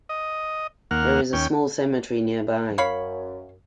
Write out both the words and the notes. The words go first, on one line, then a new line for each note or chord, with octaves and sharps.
There is a small cemetery nearby.
D#5
D#2 A#3 F#5 F6
D#2 C#4 G5
F#2 C#5 F5 B5